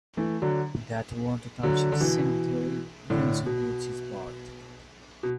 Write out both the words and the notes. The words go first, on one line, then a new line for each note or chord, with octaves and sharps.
In the Toronto Township Cemetery, John C. Woods is buried.
E3 A3
D3 F#3
D3 F#3
D3
B2 E3
A2 D3
B2
B2